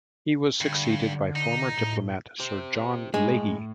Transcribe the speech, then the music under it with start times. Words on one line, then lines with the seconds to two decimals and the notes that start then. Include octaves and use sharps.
He was succeeded by former diplomat Sir John Leahy.
0.61 G2 D3
1.35 D#4
1.74 A2
2.40 G4 C5
3.14 A2 G#3 G#4